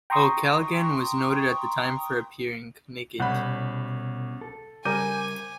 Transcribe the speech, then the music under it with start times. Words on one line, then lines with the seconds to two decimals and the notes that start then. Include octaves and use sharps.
O'Callaghan was noted at the time for appearing naked.
0.10 G5 A#5 C6 C#6 D#6
3.20 C2 B2 C#4 F#5 B5 G6
4.41 A4
4.85 C#3 G3 A#4 G#5 D6 G6 D#7